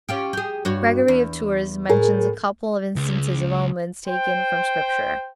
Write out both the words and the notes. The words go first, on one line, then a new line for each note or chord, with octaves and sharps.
Gregory of Tours mentions a couple of instances of omens taken from Scripture.
C#4 F4 G4
G4 G#4
G2 F#4 C#5
E2
A2 G#4 A#4
C#2
C5 G5